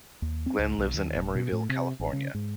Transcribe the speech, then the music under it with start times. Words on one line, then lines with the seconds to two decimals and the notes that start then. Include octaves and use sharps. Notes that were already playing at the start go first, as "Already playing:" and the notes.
Glenn lives in Emeryville, California.
0.22 D#2
0.46 C4
0.59 C#2
0.78 B1
0.93 D#2
1.15 D1
1.35 B2
1.52 A2
1.69 C3
2.00 A1
2.13 C#3
2.35 G#2